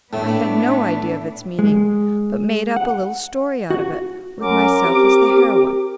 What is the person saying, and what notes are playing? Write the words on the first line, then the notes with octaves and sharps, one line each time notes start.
I had no idea of its meaning, but made up a little story out of it, with myself as the heroine.
A2 A3 B3 D4
G#3
F#5
F#4
F#2 A#4 D6
C4 G4